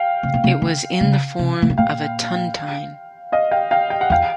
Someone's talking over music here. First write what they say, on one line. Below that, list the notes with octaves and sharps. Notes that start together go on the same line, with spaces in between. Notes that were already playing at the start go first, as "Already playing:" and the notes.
It was in the form of a tontine.
Already playing: F5 G5
C3
B2
C3
D3
C#3
C3
C3
B2
A#2 F5 G5
D#5 F5
F5 G5
F5 G5
G5
F#5
E2 F5 G5